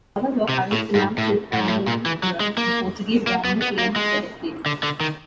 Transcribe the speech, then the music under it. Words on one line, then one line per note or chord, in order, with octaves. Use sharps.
However, having financed his Angolan years, the Portuguese government claimed the estate.
C3
A2
G#2
A2
A2
G#2
A2
A#2
E3
F#3
G#3
A#3
A#3
B3
B3
A#3
G#3
D3
D3
D#3